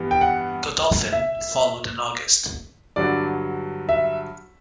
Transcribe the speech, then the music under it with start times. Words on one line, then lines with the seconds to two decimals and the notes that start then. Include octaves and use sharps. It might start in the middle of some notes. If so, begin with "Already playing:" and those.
Godolphin followed in August.
Already playing: G2 E3 G3 B3
0.11 G5
0.21 F#5
1.13 E5
2.96 G2 D3 F#3 D5
3.89 E5